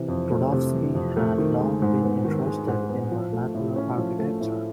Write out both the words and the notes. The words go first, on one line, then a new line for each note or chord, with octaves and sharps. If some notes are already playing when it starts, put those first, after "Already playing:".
Rudofsky had long been interested in vernacular architecture.
Already playing: C3 E3
F2
A3
C3
E3
F2
A3
D#3
G#3
G#2
B3
D#3
G#3
G#2
B3
F3
A3
A2
C#4
F3
A3
A2